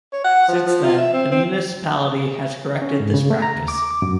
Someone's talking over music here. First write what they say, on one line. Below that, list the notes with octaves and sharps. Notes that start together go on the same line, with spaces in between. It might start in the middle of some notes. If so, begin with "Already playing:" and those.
Since then, the municipality has corrected this practice.
C#5
F#5
F3
F3
F4
E5
C4
C4
C#4
G#2
C#3
A3
A#5
D#2
D6
D6
F#2